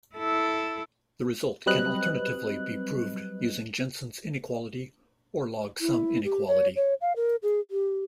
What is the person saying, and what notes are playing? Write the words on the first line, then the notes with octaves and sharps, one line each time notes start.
The result can alternatively be proved using Jensen's inequality or log sum inequality.
E4 A4
F#3 G3 C4 B4 D#5 F#6
E4
G4
C#5
C#5
F5
A#4
G#4
G4